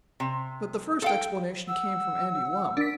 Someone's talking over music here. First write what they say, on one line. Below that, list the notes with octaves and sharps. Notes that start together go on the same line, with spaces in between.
But the first explanation came from Andy Lumm.
C3
A4 F5 G5
F#5 E6
D4 A#4 B6